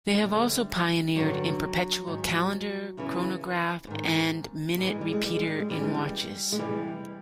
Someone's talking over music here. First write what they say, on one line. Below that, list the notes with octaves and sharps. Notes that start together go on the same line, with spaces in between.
They have also pioneered in perpetual calendar, chronograph and minute repeater in watches.
G#3
D2 D3 G3
G2 D3 F#3
G#2 D#3
E2 C#3 E3
G#2 D#3
G#2 E3 G3
G#3
G3
G#3
G3
G#3
G3
G#3
D2 C#3 E3 G3
G#3
G3
G#3
F2 C3 E3 G3